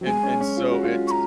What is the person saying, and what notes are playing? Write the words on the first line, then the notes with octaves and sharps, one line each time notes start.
and and so it's
F#3
G#3 G#5
C#4
C#4
F4
F#4
F4
C#6
A#5